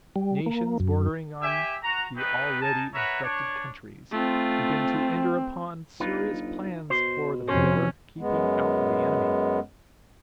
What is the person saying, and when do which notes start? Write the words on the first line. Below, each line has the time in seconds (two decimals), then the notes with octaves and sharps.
Nations, bordering on the already infected countries, began to enter upon serious plans for the better keeping out of the enemy.
0.16 G3
0.46 A#3
0.80 F#2
1.42 G4 E5 G#5
1.83 F#4 A#5
2.16 A3 B3 D#4 G4 B4
2.61 D#4 A#4 G#5 A5
2.94 A#4 B4 C#5 E5 F#5 A#5
3.23 D4 C#5
4.12 A3 C4 F4
6.00 G1 D#4 F4 B4
6.90 B2 C5
7.48 F2 C3 C#4 C5
8.18 F#2 G#3 B3